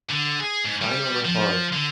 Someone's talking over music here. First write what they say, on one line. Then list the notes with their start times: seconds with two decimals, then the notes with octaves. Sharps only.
Final report.
0.10 D3
0.40 G#4
0.65 G#2
0.82 G3
1.25 F3
1.72 D3